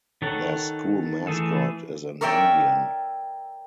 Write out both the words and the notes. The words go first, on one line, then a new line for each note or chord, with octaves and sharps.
Their school mascot is an Indian.
D#3 A4 C#5 F#5
E3 A3 G#4 A4
A#4 C#5 D5 E5 G5